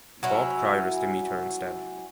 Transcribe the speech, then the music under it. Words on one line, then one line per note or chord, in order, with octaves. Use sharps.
Bob Cryer is to meet her instead.
F#3 C#4 E4